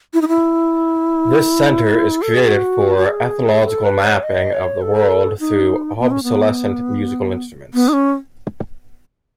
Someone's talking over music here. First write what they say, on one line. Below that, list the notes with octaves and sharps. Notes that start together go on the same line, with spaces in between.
This centre is created for ethnological mapping of the world through obsolescent musical instruments.
E4
D#4
E4
A4
G#4
F#4
F#4
G#4
A4
B4
C#5
D#5
C#5
A4
D#4
B3
C#4
B3
B3
D#4
C#4